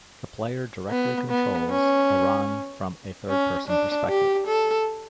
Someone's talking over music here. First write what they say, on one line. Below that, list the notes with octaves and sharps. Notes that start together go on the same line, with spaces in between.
The player directly controls Arran from a third person perspective.
B3
B3
C#4
C#4
D4
G4
A4